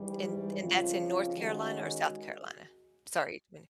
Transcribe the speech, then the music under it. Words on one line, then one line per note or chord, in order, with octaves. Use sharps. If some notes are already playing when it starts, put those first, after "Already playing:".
And and that's in North Carolina or South Carolina? Sorry, wh
Already playing: G#2 E3 G3
F2 C#3 F3
D#3 G#3 C#4 F#4